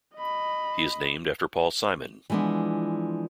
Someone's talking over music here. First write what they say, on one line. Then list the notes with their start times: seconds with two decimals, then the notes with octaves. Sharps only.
He is named after Paul Simon.
0.15 D#5 B5
2.30 E3 F3 G#3 B3 D4